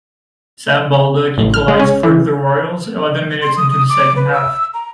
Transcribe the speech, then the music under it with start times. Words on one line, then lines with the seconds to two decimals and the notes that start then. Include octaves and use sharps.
Sam Baldock equalised for "the Royals" eleven minutes into the second half.
1.38 A1
1.54 F6
1.68 G#3
1.79 C#4
2.03 E3
3.42 C6
3.57 D#6
3.70 D#6
3.89 D6
4.16 B4
4.33 E6
4.74 A#5